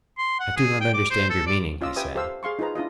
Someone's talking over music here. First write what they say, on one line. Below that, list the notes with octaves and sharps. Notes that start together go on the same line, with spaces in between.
I do not understand your meaning, he said.
C6
F#5
G#4
G5
D6
C5
A4
D5
C#4 F4 D#5 D6 E6
G4 B4 E5 G5 G#5 D#6
G4 A4 C5 F5 E6
G#4 F5 C6 C#6
D#4 F4 G#4 B4 A#5
D4 E4 F4 D#5